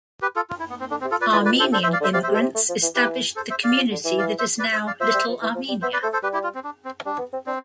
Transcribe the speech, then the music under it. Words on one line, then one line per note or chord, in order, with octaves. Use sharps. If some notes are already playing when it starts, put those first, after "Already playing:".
Armenian immigrants established the community that is now Little Armenia.
G4 B4
F4 A4
F4
E4
B3
C4
D3 D4
C4
C3
F4 A4
B4 D5
E3 B4 D5
D3
B4 D5
B2
A4 C5
C3
D3 A4 C5
C5 E5
E3
D5 F5
D3
C5 E5
C3 D5 F5
C5 E5
C3
B2 A4 C5
C3
A3
F3
E3
E3 G4 B4
A4 C5
C5 E5
D5 F5
F3
D3
E3
D5 F5
C5 E5
B4 D5
C5 E5
D5 F5
F3 C5 E5
G3
F3
E3
F3
G3
B3 C5 E5
B4 D5
A3 A4 C5
A4 C5
G3 G4 B4
E4 G4
F4
C4
D4
C4
G3 D4
B3
C4
C4 D4